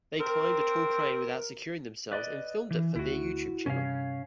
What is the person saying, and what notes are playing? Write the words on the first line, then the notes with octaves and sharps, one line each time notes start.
They climbed a tall crane without securing themselves and filmed it for their YouTube channel.
C4 A#4
B4 D5 D#5
E3
D2 E4 F#4
G2 C3 G3 C#4 C#5 F5